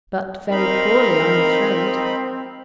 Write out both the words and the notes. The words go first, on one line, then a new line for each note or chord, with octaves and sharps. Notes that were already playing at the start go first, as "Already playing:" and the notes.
But very poorly, I'm afraid.'
C4 D#4 A#4 F5 B5